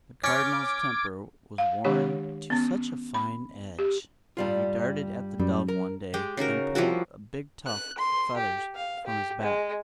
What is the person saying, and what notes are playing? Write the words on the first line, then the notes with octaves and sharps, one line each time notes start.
The Cardinal's temper was worn to such a fine edge that he darted at the dove one day and pulled a big tuft of feathers from his back.
C#4 C#6 D6 F6 G#6 A6
F5
D#3 G#3 D4 G4 C#5
B3 C#4
B5
G4
G2 G3 F4
F#2 G3
A#4
G#3 G4 G5
C#3 D#4 F#4 A#4
F3 G3 E4 F#4
F#6
C6
G4
F5
G4
G#3